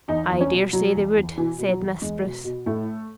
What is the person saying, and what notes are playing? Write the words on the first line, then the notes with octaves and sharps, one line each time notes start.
"I dare say they would," said Miss Spruce.
E2 D#4
E2
C#4
B2
B2 F#3
E2
E2
B2 E3
B2
F#3
E2
E2 G#3
B2
B2
A2 A3